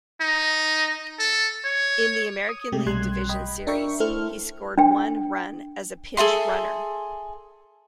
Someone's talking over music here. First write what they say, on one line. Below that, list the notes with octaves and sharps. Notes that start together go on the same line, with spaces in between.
In the American League Division Series, he scored one run as a pinch-runner.
D#4
A4
C#5
D#6
C3 G#3 A3 G4 A4
B1 G3 C6 F#6 G#6
D#5 G5 B5
D4 A#4 E5 G5 C#6
A3 E4 A4 C5 F6
D4 G5
G#4 A4 E5 C6